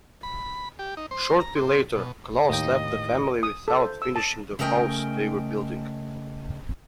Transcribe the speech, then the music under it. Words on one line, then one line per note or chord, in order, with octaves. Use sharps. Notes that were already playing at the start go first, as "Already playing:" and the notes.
Shortly later, Claus left the family without finishing the house they were building.
B5
G4
D#4
C5
A#5
C4
B2
D#2 A2 D#3 D#5 G5
D#6
A4
C5
E6
A5
C#3 A3 A#4 D#5 G5 G#5